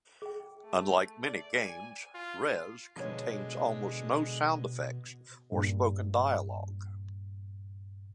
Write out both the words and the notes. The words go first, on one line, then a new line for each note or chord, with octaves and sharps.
Unlike many games, "Rez" contains almost no sound effects or spoken dialogue.
G#4 G5
A3
D5
G#5
F4
B2 D3 F3 G#3 C#5 D#5
G2 A#2